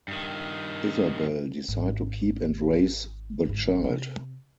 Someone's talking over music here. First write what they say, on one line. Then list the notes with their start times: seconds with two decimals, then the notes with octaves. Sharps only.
Isabel decide to keep and raise the child.
0.08 G2 D#3
1.68 G#1
3.45 G1 G#2
3.84 C3